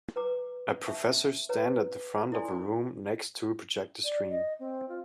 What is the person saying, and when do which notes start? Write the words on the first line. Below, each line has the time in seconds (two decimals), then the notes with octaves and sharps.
A professor stand at the front of a room next to a projector screen.
0.16 B4 A#5 D6
0.84 E5 A5 C#6
1.49 B4 C#5 A#5
2.32 E4 A4 D5 G#5 C6
4.04 D5
4.30 D#5
4.59 C4
4.89 F4